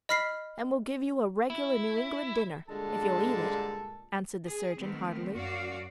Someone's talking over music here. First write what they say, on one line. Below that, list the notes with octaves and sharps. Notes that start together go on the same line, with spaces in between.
And we'll give you a regular New England dinner, if you'll eat it,' answered the surgeon heartily.
D#5 B5 F6 B6 C7
E4
G2 A#2 D3 G#3 A4 A5
G#4
D#3 A3 B3 C4
F#2 F#4 D5 F5